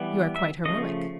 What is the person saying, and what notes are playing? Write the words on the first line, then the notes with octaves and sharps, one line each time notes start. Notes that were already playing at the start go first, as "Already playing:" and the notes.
"You are quite heroic."
Already playing: E3 G3 B3
E5
C#3 F3 A3 D#5